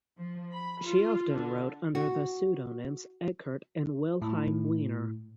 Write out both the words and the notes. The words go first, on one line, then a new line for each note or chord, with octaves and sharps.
She often wrote under the pseudonyms "Eckert" and "Wilhelm Wiener".
F3
B5
F4
D3
F#4
A2